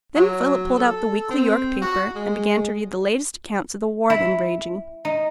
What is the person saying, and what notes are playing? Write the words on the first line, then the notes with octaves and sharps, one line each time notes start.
Then Philip pulled out the weekly York paper, and began to read the latest accounts of the war then raging.
F#3
A4
C4
F#4
G#3
E4
D#4